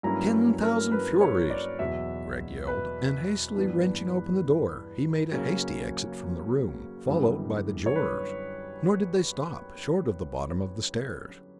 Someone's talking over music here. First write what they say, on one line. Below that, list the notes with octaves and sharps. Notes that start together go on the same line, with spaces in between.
"Ten thousand furies!" Gregg yelled, and hastily wrenching open the door, he made a hasty exit from the room, followed by the jurors--nor did they stop, short of the bottom of the stairs.
G2 F#3 A#3 C#4 E4 A#5
A#4
B4
C#5
D5
E2 B2 F#3 E5
B4
G2 E3 B3 D4
C#3 F#3 A#3 C#4
F#2 D3 G3 B3 E4
C#5
B4